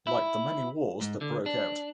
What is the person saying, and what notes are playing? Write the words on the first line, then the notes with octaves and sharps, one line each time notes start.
Like the many wars that broke out.
E4
G#2
D3
D4